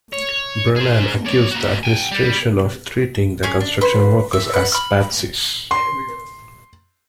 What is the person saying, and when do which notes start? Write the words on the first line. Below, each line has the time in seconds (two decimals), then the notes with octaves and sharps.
Brennan accused the administration of treating the construction workers as "patsies".
0.13 C#5
0.76 G#4 C5
1.26 C#5 D5
1.51 A#3 F#4
1.83 G5 G#5
2.12 G3
3.43 C#4 G#4 G#5
3.61 D4
3.81 B4 C6
4.33 E5
4.54 B4 F#5
4.72 B5 F6
5.71 C6